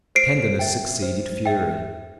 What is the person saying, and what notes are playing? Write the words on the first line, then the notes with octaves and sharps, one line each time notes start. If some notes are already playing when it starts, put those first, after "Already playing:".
Tenderness succeeded fury.
C5 C7 D7
E5 G5
C5
E5 G5